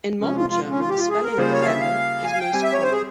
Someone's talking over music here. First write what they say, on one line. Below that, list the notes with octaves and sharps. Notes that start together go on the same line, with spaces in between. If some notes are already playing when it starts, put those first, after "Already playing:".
In Modern German, the spelling of "Feme" is most common.
C3 F3 G#3 C#4
F4
F4
C#4
F4
G4
F4
G#4
A#4
C#3 G3 A#3 F4 G#4 C5
C#5
F5
E5
F5
G#5
F5
G5
G3 C4 G4 G#5
E5
C#5
C5
G#4